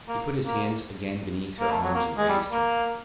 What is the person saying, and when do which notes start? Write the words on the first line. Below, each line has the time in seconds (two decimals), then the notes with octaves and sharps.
He put his hands again beneath her arms and raised her.
0.08 A#3
0.46 A#3
1.60 A#3
1.71 A3
1.83 F#3
1.95 A#3
2.18 G#3
2.29 G3
2.52 A#3